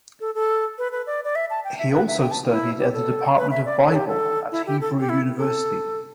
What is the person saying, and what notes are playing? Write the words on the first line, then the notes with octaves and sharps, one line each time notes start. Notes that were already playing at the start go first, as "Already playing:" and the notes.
He also studied at the department of Bible at Hebrew University.
A4
A4
B4
B4
D5
D5
E5
A5
G5
E5
B4
E5
G5
A5
E4
G4
A4
B4
E5
D5
A4
G4
A4
E4
G4
A4
G4
E4
A4